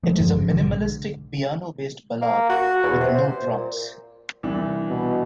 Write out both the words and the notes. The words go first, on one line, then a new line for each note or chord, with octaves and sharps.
It is a minimalistic piano-based ballad with no drums.
F3 G#3 A3
G1 G#2 F3 G#3
B1 D3 G#3
A#3
F#4
E2
C3
C5
A#2
C2 E3 D4
B2